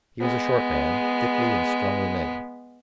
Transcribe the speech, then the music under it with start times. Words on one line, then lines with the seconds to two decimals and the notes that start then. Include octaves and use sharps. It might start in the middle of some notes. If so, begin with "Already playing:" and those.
He was a short man, thickly and strongly made.
0.20 G#3 B3